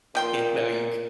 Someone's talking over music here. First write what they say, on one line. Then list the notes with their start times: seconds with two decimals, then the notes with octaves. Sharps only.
You know, you
0.15 A#2 F3 G5 C6